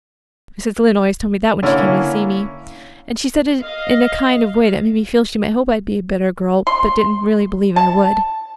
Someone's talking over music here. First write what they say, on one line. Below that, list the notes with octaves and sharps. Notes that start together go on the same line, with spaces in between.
Mrs. Lynde always told me that when she came to see me; and she said it in a kind of way that made me feel she might hope I'd be a better girl but didn't really believe I would.
D3 A#3 C#4 E4
D#5 F5
C6
A5